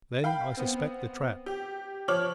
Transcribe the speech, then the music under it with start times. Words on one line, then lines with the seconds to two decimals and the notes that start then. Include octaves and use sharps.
Then I suspect the trap.
0.24 F5 G5 B5
0.57 B3 C4
1.46 G4
2.08 F3 C#5 D6 F6 F#7